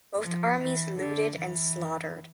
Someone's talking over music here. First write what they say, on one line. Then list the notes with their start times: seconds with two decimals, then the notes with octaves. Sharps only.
Both armies looted and slaughtered.
0.22 F3
0.60 E3
0.99 D3
1.37 E3